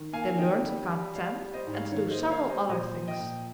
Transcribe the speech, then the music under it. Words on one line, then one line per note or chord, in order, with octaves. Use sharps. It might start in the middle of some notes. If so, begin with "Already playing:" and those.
They learned to count ten and to do several other things.
Already playing: D#3
A#3 F5 G#5
D#3 D#5 G5
G3
G3
G3 C#5 F5
G3
C5 D#5
G#2
C#5 F5
D#3 C#5 F5
C5 D#5
A#3
C#5 F5
G3
C5 D#5
A#2 C5 D#5
F3
D#5 G5
A#2